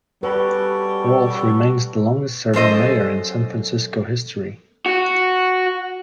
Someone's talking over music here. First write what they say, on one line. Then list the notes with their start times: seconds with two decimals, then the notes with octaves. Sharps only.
Rolph remains the longest serving mayor in San Francisco history.
0.23 G3 C#4 F#4 A4 B4
2.53 F#2 A4 C5 D#5
4.86 F#4